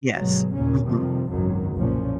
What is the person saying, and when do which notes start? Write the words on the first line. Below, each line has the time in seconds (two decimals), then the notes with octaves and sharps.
Yes, mhm.
0.13 G1 B2 F#3 G#3
0.53 F#1 D#2 A#2 C#3 C#4
0.86 F2 C3 D#3 F3 G3
1.29 G#1 C#2 F#2 D#3 F#3
1.76 F#1 B1 A#2 F3 C#4